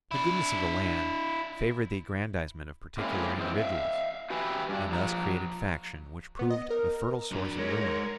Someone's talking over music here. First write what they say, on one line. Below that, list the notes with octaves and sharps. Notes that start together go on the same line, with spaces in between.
The goodness of the land favoured the aggrandizement of particular individuals, and thus created faction which proved a fertile source of ruin.
D4 E4
G#3 A#3 C4 C#4 E4
E3 G#3 C4
E5 F5
F#4 G4 B4 E5 G#5
G2 D4
F3 A#5
B3
D#5
A#4
F#3 D4
G#3 D#4 A#4 C#5